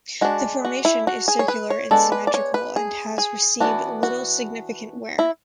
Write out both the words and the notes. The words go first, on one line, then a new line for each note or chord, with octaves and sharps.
The formation is circular and symmetrical, and has receive little significant wear.
G#3 D4 F#4
F#4
E4
F#4
G#4
C#5
B4
C#5
G#3 B3 D4 A4
B4
D5
C#5
B4
G#4
G#4
E3 B3 D4 F#4
F#4
E4